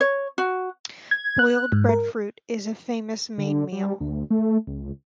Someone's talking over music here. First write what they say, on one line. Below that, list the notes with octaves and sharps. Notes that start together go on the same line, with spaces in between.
Boiled breadfruit is a famous main meal.
C#5
F#4
G#6
F#6
G#2
A#4
D3
G3
D2
A3
C#2